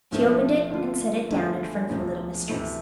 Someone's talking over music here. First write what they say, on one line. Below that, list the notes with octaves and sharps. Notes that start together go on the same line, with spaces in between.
She opened it and set it down in front of her little mistress.
B1 A2 F3 A3 C4
D3 A3 D4 F4
E2 D3 F3 A3
E1 D2 C3 F3
D2 C3 E3 A3